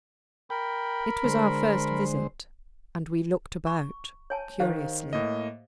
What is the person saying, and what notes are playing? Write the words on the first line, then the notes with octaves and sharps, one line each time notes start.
It was our first visit, and we looked about curiously.
A#4 G5 B5
D3 G#3 C5
C#6
C#5 G#5 A5
D#3 G4 C5 F5
A2 A#3 D#5